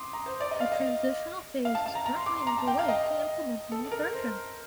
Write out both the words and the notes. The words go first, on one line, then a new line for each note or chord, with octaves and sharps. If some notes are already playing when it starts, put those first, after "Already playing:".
A transitional phase is currently underway to implement the new version.
Already playing: C6 D6 D#6
A#5
C5
D5
D#5
F5
D#5
F5
A5
A5
A#5
A#5
C6
D6
C6
A#5
A5
G5
F5
D#5
A4
A#4
C5